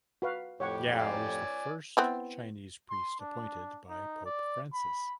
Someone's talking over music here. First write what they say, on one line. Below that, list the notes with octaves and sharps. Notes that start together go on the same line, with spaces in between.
Yao is the first Chinese priest appointed by Pope Francis.
F#4 B4 F5
F2 A2 G4 C#5 F#5 C#6
C#5 D5 F5 G#5
B3 C4 E4
C6
D4
D#4
D5
B5